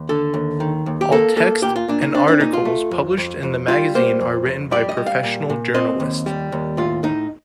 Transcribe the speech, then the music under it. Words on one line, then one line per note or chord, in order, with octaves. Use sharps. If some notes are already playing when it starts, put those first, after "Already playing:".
All texts and articles published in the magazine are written by professional journalists.
Already playing: D#2
D3 A4
D#2
D#3
D#2
G4
A#3 A4
A#3 A4
A#2 G4
F4
A#2 D4
D#4
C4 D4
D4
A#2 D#4
F4
A3
F2
F2
F2
G3 F4
A#3 C5
F2
F2
G3 D5
D#5
G3
F5
A#2
A#2
C4 D#5
D#2
G3
D#2
A2 F4
A2 D#4